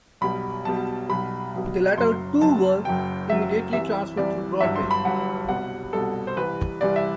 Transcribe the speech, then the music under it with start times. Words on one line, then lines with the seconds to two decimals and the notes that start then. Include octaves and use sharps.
The latter two were immediately transferred to Broadway.
0.21 B1 B2 G3 B5
0.65 B1 B2 G3 A5
1.09 B1 B2 G3 B5
1.54 B1 B2 G3
1.97 F#1 F#2 F#3 C6
2.41 F#1 F#2 F#3 A5
2.85 F#1 F#2 F#3 G5
3.29 F#1 F#2 F#3 E5
3.73 C2 C3 E3 G3 E5
4.17 C2 C3 E3 G3 D5
4.61 G1 G2 F#3 E5
4.76 C6
4.91 B5
5.05 G1 G2 F#3 F#5
5.49 C2 B2 G3 F#5
5.93 C2 B2 G3 A4
6.27 C5
6.37 C2 C3 E3 G3 B4
6.81 C2 C3 E3 G3 D5
6.96 E5